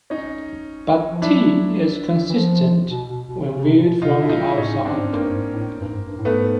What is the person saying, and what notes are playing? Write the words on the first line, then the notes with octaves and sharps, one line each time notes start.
But "T" is consistent when viewed from the outside.
C#4 D#4
F3
F#3 D4 E4
E3
F3
B2
B2
B2
C#3
C3
A#2
B2
C3 D#4 F4
B2 E4
D#4 F4
A#2
E4
A2 C#4 D#4
G#2
C4 D4
G#2
G2 A#3 C4
G#2
A2
G2
G#2
G2
A2
G#2 A3 B3